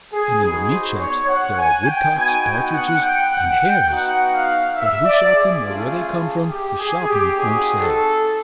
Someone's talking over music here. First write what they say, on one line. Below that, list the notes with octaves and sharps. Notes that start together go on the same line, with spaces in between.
And in the meat-shops there are woodcocks, partridges, and hares, but who shot them or where they come from, the shopman won't say.
G#4
B3 D#4 F#4 G#4
C5
C#5
F#5
G#5
G5
B3 D#4 F#4 G#5
G5
F#5
G5
F#5
G5
B3 D#4 F#4 F#5
F5
E5
D5
G#4
A3 C#4 F4
G4
G#4
G4
C4 D#4 F#4 G#4
A4